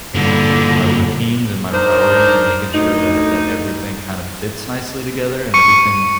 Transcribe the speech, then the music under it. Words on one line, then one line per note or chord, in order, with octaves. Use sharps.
my routines and my priorities and making sure that that everything kinda fits nicely together and everything
G2 A#2 D3
D4 D#4 A#4 C5
D2 A2 D#4
C#6 C#7